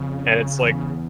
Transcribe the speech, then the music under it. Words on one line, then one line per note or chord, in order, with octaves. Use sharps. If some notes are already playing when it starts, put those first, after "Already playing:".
And it's like,
Already playing: F2 C#3
E2